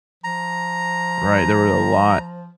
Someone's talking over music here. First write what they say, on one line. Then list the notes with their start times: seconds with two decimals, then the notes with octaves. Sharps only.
right? There were a lot
0.24 F3 A#5